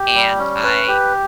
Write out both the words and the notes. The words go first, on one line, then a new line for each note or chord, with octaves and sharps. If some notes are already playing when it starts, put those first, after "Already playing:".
And I
Already playing: G4
G3
C#4
B4
G4